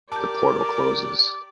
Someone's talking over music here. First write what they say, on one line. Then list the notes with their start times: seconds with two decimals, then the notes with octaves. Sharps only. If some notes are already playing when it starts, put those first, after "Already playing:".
The portal closes.
0.12 G4 A#4 D5 A5 D6 G6